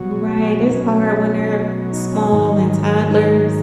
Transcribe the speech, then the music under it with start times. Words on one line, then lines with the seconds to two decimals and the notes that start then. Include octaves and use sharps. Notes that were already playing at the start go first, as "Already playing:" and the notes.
Right, it's hard when they're small and toddlers.
Already playing: B2 F#3 F#4
0.43 G#4
0.54 F#4
0.63 D#4
0.73 B2 F#3 C#4
1.92 D#4
2.12 C#4
2.32 G#2 D#3 F#3 D#4
3.10 D#4